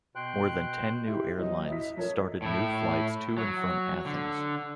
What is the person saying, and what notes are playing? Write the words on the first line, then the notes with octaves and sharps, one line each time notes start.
More than ten new airlines started new flights to and from Athens.
B2 G5 C6 F#6
E4 G4
F#3 D#5
E4 B6
F3 A4 A#4 C#5
A2 E4
F#3
D3